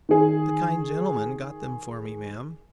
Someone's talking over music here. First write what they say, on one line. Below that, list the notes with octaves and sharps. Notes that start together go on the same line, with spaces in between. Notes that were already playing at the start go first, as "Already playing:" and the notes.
"The kind gentleman got them for me, ma'am."
D#3 G#4